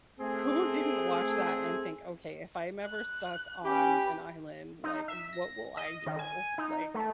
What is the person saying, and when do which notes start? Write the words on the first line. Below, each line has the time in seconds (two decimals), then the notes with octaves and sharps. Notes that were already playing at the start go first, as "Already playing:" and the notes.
who didn't watch that and think, "Okay, if I'm ever stuck on an island, like, what will I do?" Like
0.19 A3 C4 G#4
2.85 F#6
3.64 C#4 G4 B4
4.84 D#4
5.08 E5
5.33 A#6
5.77 D#5
6.06 D#3
6.19 G#5
6.58 D#4
6.94 A3